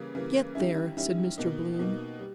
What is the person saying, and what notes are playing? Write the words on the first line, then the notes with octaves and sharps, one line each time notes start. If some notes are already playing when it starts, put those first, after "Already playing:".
"Get there," said Mr. Bloom.
Already playing: C#3 E3 G3 A#3
C#3 E3 G3 A#3
D#3 G3 C#4 E4
D#3 G3 C#4 E4
B2 A#3 D#4
B2 A#3 D#4
G3